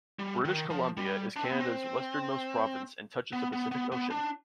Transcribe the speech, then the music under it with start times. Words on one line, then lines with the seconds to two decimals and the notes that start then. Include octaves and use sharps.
British Columbia is Canada's westernmost province and touches the Pacific Ocean.
0.19 G3
0.45 D#3
0.70 F3
0.97 G3
1.36 D4
1.44 C4
1.51 B3
1.60 C4
3.33 B3
3.53 B3
3.72 B3
3.92 B3
4.10 D4